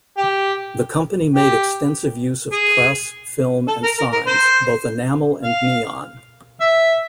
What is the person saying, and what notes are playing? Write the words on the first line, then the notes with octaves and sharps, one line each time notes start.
The company made extensive use of press, film and signs, both enamel and neon.
G4
G4
G#4
A4
A#4
A#4
A#4
C5
F5
E5